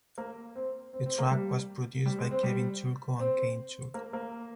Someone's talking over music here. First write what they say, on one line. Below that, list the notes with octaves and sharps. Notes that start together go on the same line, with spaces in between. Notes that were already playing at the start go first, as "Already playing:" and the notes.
The track was produced by Kevin Churko and Kane Churko.
A#3
C4
C4
C4
A#3
G3
G3
G#3
C4
G3
C4
A#3
A#3